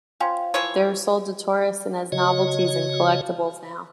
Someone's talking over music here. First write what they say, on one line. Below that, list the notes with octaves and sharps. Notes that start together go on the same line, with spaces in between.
They are sold to tourists and as novelties and collectibles now.
C#4 F4 C5 G5
E3 F3 C#5
C#3 F#4 C#5 D#5